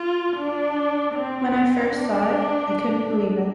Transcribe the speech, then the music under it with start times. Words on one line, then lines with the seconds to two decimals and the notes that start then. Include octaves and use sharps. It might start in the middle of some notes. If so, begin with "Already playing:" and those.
When I first saw it I couldn't believe it.
Already playing: F4
0.36 D4
1.14 C4
1.92 D4